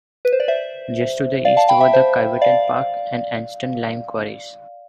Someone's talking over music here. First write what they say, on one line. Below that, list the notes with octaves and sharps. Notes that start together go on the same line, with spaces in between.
Just to the east were the Kiveton Park and Anston lime quarries.
B4
C5
D5
C5 E5
D5 F5
F5 A5
G5 B5
E5 G5
C5 E5
D5 F5